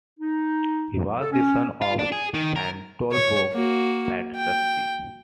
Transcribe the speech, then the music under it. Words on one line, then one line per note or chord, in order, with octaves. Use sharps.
He was the son of Pandolfo Petrucci.
D#4
A4
C#4
F4
D4
G#4
D#3
A#4
C#5
A#3 F#4
G5